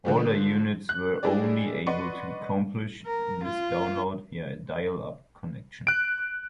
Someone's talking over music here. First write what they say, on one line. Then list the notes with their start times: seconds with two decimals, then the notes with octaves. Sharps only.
Older units were only able to accomplish this download via a dial-up connection.
0.05 D3 F3 A3
0.89 F#6
1.23 G3 G#3 D4 E4 G#4 D5
1.87 B4 D5 D#5 F#5 C6 C#6
3.06 A#4
3.45 F4
5.87 F#6 D7